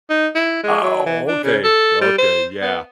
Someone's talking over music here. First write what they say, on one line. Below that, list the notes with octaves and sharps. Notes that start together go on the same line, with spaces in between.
Oh, okay, okay, yeah.
D#4
E4
G#3
F#3
E3
D4
C#3
A4
G3
C5
B3